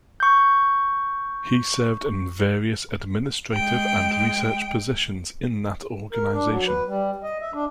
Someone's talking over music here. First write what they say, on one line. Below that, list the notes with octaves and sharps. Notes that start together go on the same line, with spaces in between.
He served in various administrative and research positions in that organization.
C#6 G6
G#3 G5
A#4
D4
F#3
B4
G3
D#5
E5
D4